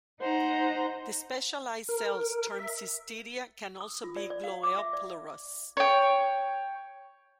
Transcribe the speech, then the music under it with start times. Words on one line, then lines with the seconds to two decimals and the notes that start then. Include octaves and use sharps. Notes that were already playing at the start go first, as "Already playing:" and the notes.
The specialized cells termed cystidia can also be gloeoplerous.
0.20 D#4 C5 F#5 A#5
1.89 A#4
2.59 E5
3.81 D#6
4.04 F4
4.16 D5
4.30 D5
4.44 F5
4.63 D6
4.78 E5
4.93 D5
5.77 C#5 G5